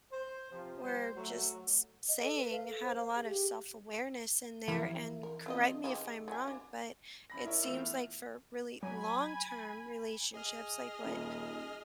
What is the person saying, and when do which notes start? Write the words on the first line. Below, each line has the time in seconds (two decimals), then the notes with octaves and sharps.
were just s saying had a lot of self-awareness in there, and correct me if I'm wrong, but it seems like for really long-term relationships, like what
0.11 C5
0.51 C3 F3
0.82 G3 C5
1.15 F#3 A3
2.09 D#5
2.23 A4
2.38 B4
2.52 F5
2.68 A4
2.82 C5
2.97 F5
3.16 G#4
3.28 G4
4.68 E3 F3 G3 E4 A#4
5.23 A#4
5.46 C4 F4 D#5
5.84 C#3 D#4 G4
6.28 F#3 G#5
6.48 D4
7.30 F#2 B5 A#6
7.44 D#4 E4 A#4 C#5 E5
7.62 E3 A3 B3 F4 E6 F7
8.83 F#3 G#5 B5
10.34 G#4 D#5 F6
11.04 D#1